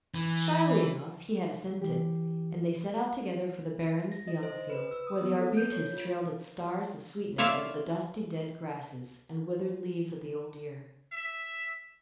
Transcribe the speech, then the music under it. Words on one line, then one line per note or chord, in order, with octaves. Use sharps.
Shyly enough he had assented, and they set out together for the barrens beyond the field, where the arbutus trailed its stars of sweetness under the dusty dead grasses and withered leaves of the old year.
E3
E3 G4
A#6
D#5
C5
B4
E6
D#6
B3
A4
G6
C#5
F4
F4 C#5 D5 E5 F5
E5